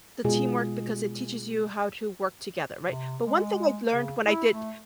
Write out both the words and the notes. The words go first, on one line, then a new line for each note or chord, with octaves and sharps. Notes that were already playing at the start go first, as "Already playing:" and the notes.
the teamwork because it teaches you how to work together, right? But one thing I've learned when I did
B2 G#3 F4 G#4
C3
G#3
C#3
E4
A3